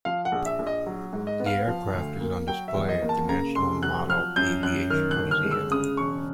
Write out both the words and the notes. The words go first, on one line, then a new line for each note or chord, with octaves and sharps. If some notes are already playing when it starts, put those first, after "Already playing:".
The aircraft is on display at the National Model Aviation Museum.
F3 F5
F#5
A#1
E5
A#1
D#5
F#3
G#2
D#5
B3
F5
F3
D2
A#3
F#3 G5
E5
E2
D#5
A#3
A5
C#3 A#5
F1 C6
F#3 F#6
F3 F6
F#2 G6
F#2 F#6
D#3 F6
F#6
G1
F6
G#3
E6
C#3 D#6
E1 C#6